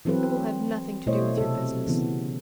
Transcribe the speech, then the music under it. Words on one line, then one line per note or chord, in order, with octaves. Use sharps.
I will have nothing to do with your business.
E3 F#3 C4 A4 B4
B2 A3 E4 C5 C#5 D#5
C3 A4
C#3 E3 B3